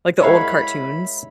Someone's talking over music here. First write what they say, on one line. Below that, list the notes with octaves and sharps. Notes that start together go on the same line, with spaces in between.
Like, the old cartoons.
G#3 E4 A#4 C#5 F5 F#5 B5